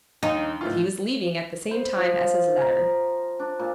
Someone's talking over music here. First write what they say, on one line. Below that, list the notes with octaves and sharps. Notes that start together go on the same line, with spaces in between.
"That he was leaving at the same time as his letter."
D#2 D#4
A2 E3 F4
C5
F3
A#5
D4
A#2